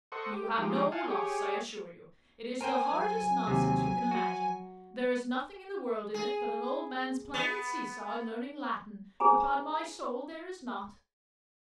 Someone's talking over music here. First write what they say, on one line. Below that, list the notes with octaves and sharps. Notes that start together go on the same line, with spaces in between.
"You have no loss, I assure you; it is the horridest nonsense you can imagine: there is nothing in the world in it but an old man's playing at see-saw and learning Latin; upon my soul, there is not."
A4 C5 D#5 F#5 C#6
G4
F3 G#3 D#4 G4
F5 F#5 G#5 A5
G4 G#4 C#5
A#4 C5 G5 G#5
F#3
D#2 C3
F#4
G#4
B3
G#4 C5 G#5 A#5